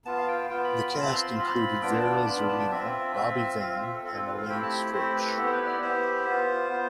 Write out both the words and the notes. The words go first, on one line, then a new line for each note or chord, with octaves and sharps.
The cast included Vera Zorina, Bobby Van, and Elaine Stritch.
B3 F4 A5
F5
G5
B3 F4 G5
B5
B5
C4 F4 B5
A5
B5
C6
C4 F4 B5
B3 D4 F4 G5
A5
G5
A5
B3 D4 F4 B5
B5
A5
G5
C4 F4 E5
C4 F4
C4 F4 F5
E5
E5
A4
C4 F4 A4
A4
B4
F5
A3 C4 E4 G4 G5
A5
A3 C4 E4 G4 C5
B4
B3 E4 G4 A4
C5
B4
D5
B3 E4 G4 C5
B3 F4
B3 F4